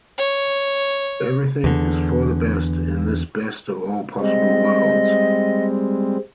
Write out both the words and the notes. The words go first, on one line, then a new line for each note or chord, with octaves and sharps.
Everything is for the best in this best of all possible worlds.
C#5
E2 D3
G3 G#3 C4 D#5